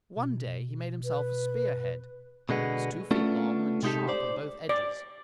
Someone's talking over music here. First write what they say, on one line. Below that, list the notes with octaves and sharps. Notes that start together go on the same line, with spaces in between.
One day he made himself a spear-head. It was two feet long and sharp on both edges.
B2
B4
B2 D3 G#3 B3
A3 B3 C#4 D4 F4 A4
C3 G#3 D#4 F4 G4 A4
C5 D5
D5